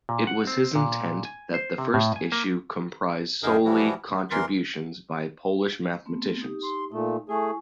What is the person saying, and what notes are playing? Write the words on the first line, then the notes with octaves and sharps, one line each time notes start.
It was his intent that the first issue comprise solely contributions by Polish mathematicians.
A#2
F#5
C4
A#2
G#5
C5
C3
A2
G#5
A#3
F#2 D3 D#4 G#4 A#4
E3 F3 G3 E4 F#4
G2
E2 E3 A#4 C6
A3 B3 C4
D#4 G4
C6
A#2 A3 D#4
A3 E4 G#4 G#5 C#6